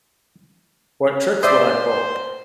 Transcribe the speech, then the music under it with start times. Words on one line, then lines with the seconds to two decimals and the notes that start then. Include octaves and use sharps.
What tricks would I pull?
1.43 C5 D5 E5 D#6